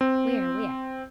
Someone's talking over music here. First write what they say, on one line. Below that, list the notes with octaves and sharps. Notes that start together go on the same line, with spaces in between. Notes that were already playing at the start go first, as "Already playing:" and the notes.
Where, where?
C4